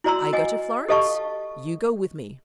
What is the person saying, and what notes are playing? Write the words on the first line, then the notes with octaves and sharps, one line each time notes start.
I go to Florence; you go with me.'
E4 F#4 D5 A#5 C6 E6
D#5 F#5 G#5
G4 A4 D#5 F5 A5 C#6